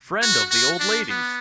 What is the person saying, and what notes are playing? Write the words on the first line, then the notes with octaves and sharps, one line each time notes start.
Friend of the old lady's.
F#4
F#4
D4
B3